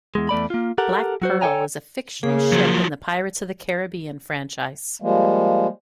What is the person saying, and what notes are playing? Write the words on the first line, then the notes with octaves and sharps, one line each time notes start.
Black Pearl is a fictional ship in the "Pirates of the Caribbean" franchise.
E2 G#3
E2 A3 D5 B5
A#3 F4
G4 A4 A#4 F#5
F#3 F#4 C5
A4 C5 C#5 G5 G#5 A#5
C#3 A#3 G#4
F3 F#3
F3 G3 G#3 A#3